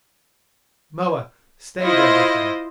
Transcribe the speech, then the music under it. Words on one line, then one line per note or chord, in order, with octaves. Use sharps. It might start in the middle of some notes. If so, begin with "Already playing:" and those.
Moa, stay there with him.
E4 F4 C5 D#5